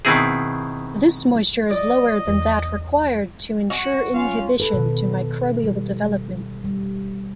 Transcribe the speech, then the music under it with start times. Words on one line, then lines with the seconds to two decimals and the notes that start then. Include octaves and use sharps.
This moisture is lower than that required to ensure inhibition to microbial development.
0.05 B2 D#3 B3 C4 E4 G#4
1.71 D5 D#5
2.27 E2
3.70 F#4
4.14 C#4 F4 F5
4.60 A4 B4
4.74 B2 D#3
5.63 G3
6.64 G3